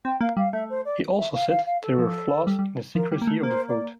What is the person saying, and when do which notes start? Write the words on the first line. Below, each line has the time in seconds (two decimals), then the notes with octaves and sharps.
He also said there were flaws in the secrecy of the vote.
0.05 C4 G5
0.21 A#3 F5
0.37 G3 F5
0.53 A3 E5
0.70 C5
0.85 D5
1.18 E5
1.34 F5
1.49 F5
1.66 F5
1.82 A4
1.98 F3
2.47 G3
2.59 G3
2.95 F3 A#4
3.12 G3
3.22 A#3
3.27 A3
3.43 A#3 C5
3.68 D5